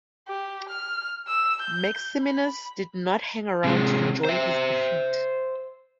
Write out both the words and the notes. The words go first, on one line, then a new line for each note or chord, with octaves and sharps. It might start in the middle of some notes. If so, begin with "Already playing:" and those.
Maximinus did not hang around to enjoy his defeat.
G4
F6
E6
G6
B5
C3 G#3
C5 E5